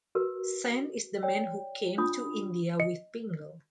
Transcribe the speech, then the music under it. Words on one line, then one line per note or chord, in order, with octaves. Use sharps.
Sen is the man who came to India with Pingle.
F#4 A#4 B4
C#5 D5 G5
D4 F4 B5 D#6
D#5 C#7